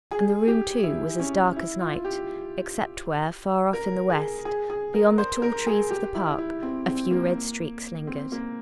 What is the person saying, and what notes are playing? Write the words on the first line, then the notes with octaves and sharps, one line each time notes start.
And the room, too, was as dark as night, except where far off in the west, beyond the tall trees of the park, a few red streaks lingered.
G#4
G4
E4
C#4
E4
F4
G4
A#4
G#4
G#4
G#4
A#4
C5
A#4
G#4
G4
E4
E4
C4
C4
A#3
C4
A#3